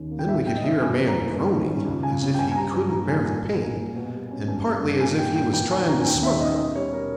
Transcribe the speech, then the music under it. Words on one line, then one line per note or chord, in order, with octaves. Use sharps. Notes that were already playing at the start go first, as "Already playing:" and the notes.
Then we could hear a man groaning, as if he couldn't bear the pain, and partly as if he was trying to smother it.
Already playing: D#2 D#3 C#4
A#3
G5
G#2 E5
G3 G5
D#5
C#4 E5
G2 G#5
E3
A#5
A#3
G2
D#3
C#4
C#2
C#3 G#5
C#4
G5
G2 G#5
G#5
G3 A#5
G2
A#2 A#5
G3 G#5
A#2 G#5
A#2
A#3
A#2
B2
G3
C#4
G2 G#5
G3
G2
A#2 G#5
G3 G5
A#2 G5
E2 G5
D#3 G#5
C#4 A#5
G#5
D#2 G5
D#3 E5
C#4 D#5
B2 D#5
G3 C#5
B2 A#4